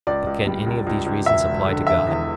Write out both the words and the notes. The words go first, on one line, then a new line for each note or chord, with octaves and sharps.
But can any of these reasons apply to God?
C#2 D5
C#2
G3
C#2
C#2
C#2
E1 E5
E1
D3
E1 E5
E2